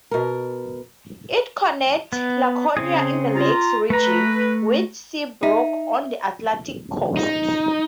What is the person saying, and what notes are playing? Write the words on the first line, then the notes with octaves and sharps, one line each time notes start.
It connects Laconia in the Lakes Region with Seabrook on the Atlantic coast.
B2 A#4
B3
C#3 C4 G#4
F4 A#5
A3 B4 A#5
D#4 E5
D#4